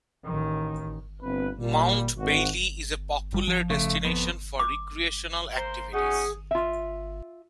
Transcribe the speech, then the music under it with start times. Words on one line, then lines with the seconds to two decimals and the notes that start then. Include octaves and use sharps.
Mount Bailey is a popular destination for recreational activities.
0.25 A1 D#3
1.21 G1 C4 B4
1.58 A#2 G3
2.18 G#1 F#4
3.33 F#1 G3
3.47 F3
3.70 C#3 A3
4.05 F2 B3
4.59 D6
5.55 A#3 C5
5.93 C#4 D#4 F#4 G#4
6.51 F4 E5